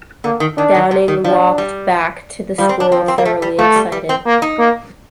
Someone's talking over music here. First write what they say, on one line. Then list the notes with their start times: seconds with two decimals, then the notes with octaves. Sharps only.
Downing walked back to the school thoroughly excited.
0.24 D3 A#3
0.40 D#3
0.57 D#3 D4
0.75 D#3
0.91 C3
1.08 D#3
1.24 F3 D4
1.58 G3
2.58 F3 G3
2.69 C4
2.80 D4
2.91 F3 C4
3.08 C4
3.18 A#3
3.25 A3
3.42 G3
3.59 F3 A3
3.76 G3
3.92 G3
4.09 C4
4.26 A#3
4.42 D#4
4.59 A#3